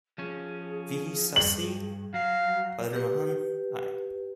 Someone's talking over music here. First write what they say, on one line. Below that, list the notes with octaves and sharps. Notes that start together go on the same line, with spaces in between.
V. Sasi, Padmarajan-I.
F3 C#4 G#4
G2 F#7
F#3 F5
G4 B4